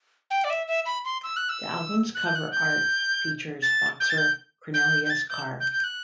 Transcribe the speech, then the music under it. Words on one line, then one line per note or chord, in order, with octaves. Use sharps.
The album's cover art features boxer Cornelius Carr.
G5
D5
E5
E5
B5
C6
E6
F#6
E6
F#6
G6
F#6
G6
A6
G6
A6
G6
G6
G6
A6
G6
G6
G6
F#6